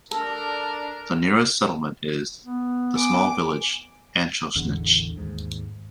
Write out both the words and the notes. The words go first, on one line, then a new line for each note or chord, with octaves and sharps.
The nearest settlement is the small village, Achosnich.
D4 A4 A#4
B3
G#5 D6
A1 E2 D3
D#2 G#2